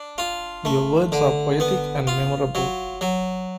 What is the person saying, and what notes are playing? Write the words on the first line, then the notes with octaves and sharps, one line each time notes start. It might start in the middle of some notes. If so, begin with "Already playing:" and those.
Your words are poetic and memorable.
Already playing: D4
F4
A3
D3
B3
F4
F#3
F#3